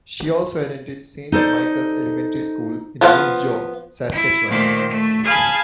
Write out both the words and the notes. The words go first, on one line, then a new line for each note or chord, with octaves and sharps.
She also attended Saint Michael's elementary school in Moose Jaw, Saskatchewan.
D#4 A4 C5 D5
F3 B3 C5 F5
E4
A#2 D#3 A3 C5 D6
A3
G#4 F5 G#5 A5 B5